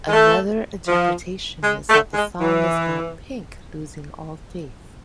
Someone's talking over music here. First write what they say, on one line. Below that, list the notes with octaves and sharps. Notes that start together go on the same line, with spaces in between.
Another interpretation is that the song is about "Pink" losing all faith.
G#3
A3
F3
G#3
A3
G#3
E3